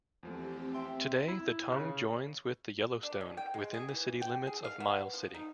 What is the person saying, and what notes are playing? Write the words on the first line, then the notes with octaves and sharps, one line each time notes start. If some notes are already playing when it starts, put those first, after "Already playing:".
Today, the Tongue joins with the Yellowstone within the city limits of Miles City.
E2 F3 A3 C4 G4
E5 G5 C6
E4
C#3
D4
C#4
G5
G#3
G#4
E3
G5
G#4
F5
B3
F3
D#4